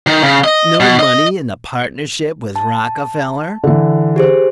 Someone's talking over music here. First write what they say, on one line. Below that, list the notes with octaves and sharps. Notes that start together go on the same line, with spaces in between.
"No money in a partnership with Rockefeller?"
D#3
C#3
D#5
B2
D#5
A5
D3 E3
G4 G#4 C5